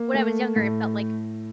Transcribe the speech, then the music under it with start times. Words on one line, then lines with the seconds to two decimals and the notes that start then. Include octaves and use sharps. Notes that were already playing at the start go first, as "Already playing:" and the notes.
When I was younger, it felt, like,
Already playing: A#3
0.14 A3
0.56 A2